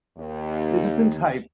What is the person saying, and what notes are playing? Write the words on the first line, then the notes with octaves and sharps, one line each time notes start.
This isn't hype.
D#2